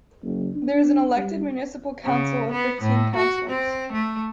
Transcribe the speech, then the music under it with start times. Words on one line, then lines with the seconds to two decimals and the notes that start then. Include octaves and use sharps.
There is an elected Municipal Council of fifteen councilors.
0.22 F#1
0.55 D4
1.16 G3
2.04 C#3
2.52 B3
2.82 A2
3.16 F#4
3.50 C4
3.93 A3